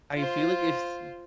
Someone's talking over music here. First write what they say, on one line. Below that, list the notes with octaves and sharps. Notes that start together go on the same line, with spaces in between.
I feel like if s
F4 C5